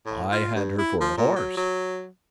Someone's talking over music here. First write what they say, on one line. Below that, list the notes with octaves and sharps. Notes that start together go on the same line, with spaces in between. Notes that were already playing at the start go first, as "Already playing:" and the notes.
"I had her for a horse."
A2
F4
G2
E4
F3
A#2
F#3
F#3